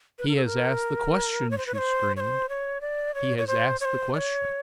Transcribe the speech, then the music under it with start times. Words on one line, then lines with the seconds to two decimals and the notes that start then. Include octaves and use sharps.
"He has asked the question!" she screamed--"he has asked the question!"
0.19 B4
0.28 A#4
0.36 A4
0.45 A#4
1.51 C#5
1.58 C5
1.66 B4
1.74 C#5
1.78 C5
2.16 C#5
2.20 C5
2.49 C#5
2.81 D5
3.15 C#5
3.38 C#5
3.47 C5
3.81 C#5
3.85 C5
4.13 D5
4.18 C#5